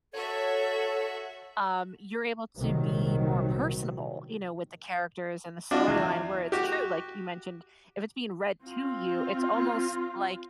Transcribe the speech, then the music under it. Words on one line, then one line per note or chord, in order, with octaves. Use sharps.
um, you're able to be more personable, you know, with the characters and the storyline where it's true, like you mentioned, if it's being read to you, it's almost, like,
F#4 A4 C#5 E5
C2 A#2 D#3 F#3
D4 F4 F#4
E2
F#4 G4
C4 F4